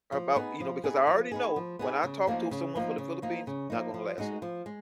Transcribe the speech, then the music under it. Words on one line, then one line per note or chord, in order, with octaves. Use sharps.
or about, you know, because I already know when I talk to someone from The Philippines, not gonna last long.
F3
B3 D#4 G#4
F3
B3 D#4 G#4
F3
B3 D#4 G#4
F3
B3 D#4 G#4
C#3
F3 A#3 D#4
C#3
F3 A#3 D#4
C#3
F3 A#3 D#4
C#3
F3 A#3 D#4
F3
G#3 D#4 F#4
F3
G#3